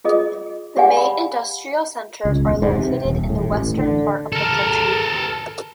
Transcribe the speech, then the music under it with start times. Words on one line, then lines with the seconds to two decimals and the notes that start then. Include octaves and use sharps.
The main industrial centers are located in the western part of the country.
0.04 F4 G#4 D#5 D#6
0.77 G4 G#4 D5 F5 F#5 G#5
0.97 B5
2.25 C#2
2.47 E1
2.62 G#2
2.75 C3
3.05 D#1
3.29 A2
3.52 A1
3.78 D3
4.33 A4 A#4